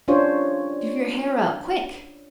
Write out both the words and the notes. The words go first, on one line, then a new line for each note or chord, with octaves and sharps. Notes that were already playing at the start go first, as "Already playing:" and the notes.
"Do your hair up--quick!"
C#4 D4 F4 G4 C5 C#5